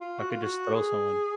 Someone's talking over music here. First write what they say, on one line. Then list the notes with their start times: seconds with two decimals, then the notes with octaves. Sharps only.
Hulk could just throw someone.
0.01 F4
0.19 F#4
0.31 F4
0.44 F#4
0.74 G#4